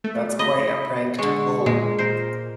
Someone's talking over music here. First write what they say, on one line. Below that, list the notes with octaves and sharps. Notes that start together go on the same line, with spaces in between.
That's quite a prank to pull.
A3
D#5 B5
D3 G#3 C#6
A#2 G#3
A#4 C5